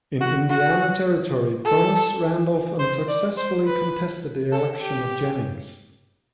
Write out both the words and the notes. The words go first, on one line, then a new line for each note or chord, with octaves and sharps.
In Indiana Territory, Thomas Randolph unsuccessfully contested the election of Jennings.
F#4
F#4
A4
C5
D5
C5
B4
A4
G4